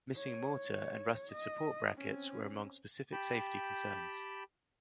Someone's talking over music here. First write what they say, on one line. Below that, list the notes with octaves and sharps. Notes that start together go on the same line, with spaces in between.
Missing mortar and rusted support brackets were among specific safety concerns.
C#5
D#5
C4 C#4
G4 G5 A5 B5